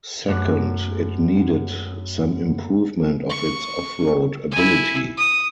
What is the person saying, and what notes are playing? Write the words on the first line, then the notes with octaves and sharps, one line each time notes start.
Second, it needed some improvement of its off-road ability.
F#2 A3 C#4 F#4 D6 F#6
C#6
E4 G#5
D#6